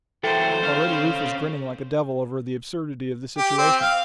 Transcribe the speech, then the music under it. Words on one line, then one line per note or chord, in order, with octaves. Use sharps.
Already Rufe was grinning like a devil over the absurdity of the situation.
E3 F#3 A4 C5 G5
C#4 F5
G4
C4
F5